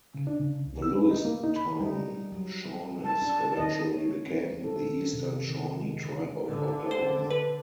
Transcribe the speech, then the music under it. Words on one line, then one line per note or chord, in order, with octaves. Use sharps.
The Lewistown Shawnees eventually became the Eastern Shawnee Tribe of Oklahoma.
C#3
D4
C#3
C2
E6
B4
D#4
A#3
D#4
B5
G3 D#4
F#3
A5
D4
D#3 D#5
C#5
C#4
C4
C4
A4
D#3
C3
G4
D#3
G#3
D3
D3
C5
B4